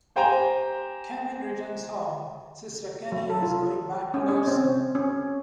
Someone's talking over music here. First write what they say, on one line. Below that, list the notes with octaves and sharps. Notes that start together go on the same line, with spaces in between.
Kevin returns home, Sister Kenny is going back to nursing.
G4 C5 G5 G#5 A#5
F#3
A4
F4
C#4
C#4
C4
C#4